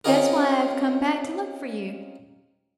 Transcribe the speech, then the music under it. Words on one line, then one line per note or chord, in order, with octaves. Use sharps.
That's why I've come back to look for you.
C4 C#4 D#4 F4 G#4 A#4